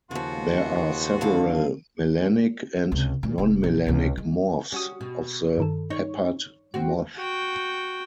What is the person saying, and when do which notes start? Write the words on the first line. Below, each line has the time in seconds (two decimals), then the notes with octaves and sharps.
There are several melanic and non-melanic morphs of the peppered moth.
0.11 D#2 C#3 F3 B3 F#4 C6
1.21 G2 D3 F5
2.92 C#2 C3
3.23 A#2
3.38 F1 F2
3.64 A#1
3.87 C#2 C3
4.18 G#3
4.72 C#4 F#4 G4 D#6
5.01 B2
5.58 G2 D#3 A4
5.90 D#4 C#5
6.74 C4 F#4
7.17 F#4 G5